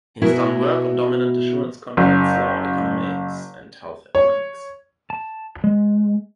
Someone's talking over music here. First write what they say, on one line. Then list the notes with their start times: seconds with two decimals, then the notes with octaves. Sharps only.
He has done work on dominant assurance contracts, law and economics and health economics.
0.22 B2 E3 B3 E4 F#4 A#4
1.97 F#1
4.15 C#5
5.10 A5
5.64 G#3